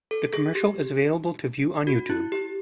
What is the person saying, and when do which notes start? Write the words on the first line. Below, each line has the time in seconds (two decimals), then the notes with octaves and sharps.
The commercial is available to view on YouTube.
0.11 A4
0.33 G#4
0.55 G4
1.87 F#4
2.10 E4
2.32 G4